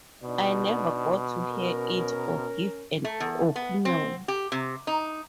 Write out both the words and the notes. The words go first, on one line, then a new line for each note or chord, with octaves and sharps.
I never got to hear it or give an opinion.
B2 D4 D#4 D5
C#4 A#4
A3
E2
B3
C4
G4
C3
D#4